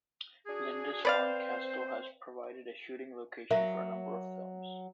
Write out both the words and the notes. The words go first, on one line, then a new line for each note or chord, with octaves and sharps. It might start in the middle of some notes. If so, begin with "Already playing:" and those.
Lindisfarne Castle has provided a shooting location for a number of films.
D4 F#4 G#4
C4 B4 C5 D5 F5
F#3 A#4 E5